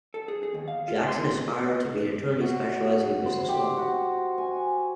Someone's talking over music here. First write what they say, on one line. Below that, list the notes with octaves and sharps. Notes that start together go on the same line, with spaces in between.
Jackson aspired to be an attorney specializing in business law.
A4
G#4
G#4
D#2
F5
F4
C6
F#4
C5
G4
F#4
G#5